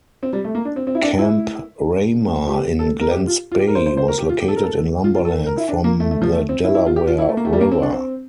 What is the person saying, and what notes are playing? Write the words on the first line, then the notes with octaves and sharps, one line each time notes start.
Camp Ramah in Glen Spey was located in Lumberland, from the Delaware River.
C4
G3
A3
A#3
D4
C4
C4
E4
D4
E4
G4
A4
A#4
G4
F4
F4
G4
A#4
C5
C5
C5
A#4
G4
F4
G4
A4
A#4
A4
F4
F4
A4
A#4
E4
D4
A#3
A3
A3
F3
A3
C4
E4
E4
F4
G4
F4
E4
A3
A#3
A3
G3
A#3
C4
D4
C4